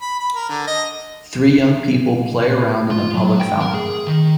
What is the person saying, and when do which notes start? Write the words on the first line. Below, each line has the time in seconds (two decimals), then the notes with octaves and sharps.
Three young people play around in a public fountain.
0.01 B5
0.20 B5
0.35 A#4
0.49 D3
0.67 D#5
2.91 F4
3.14 F#3
3.40 G5
3.60 A#4
3.74 G#4
4.07 D#3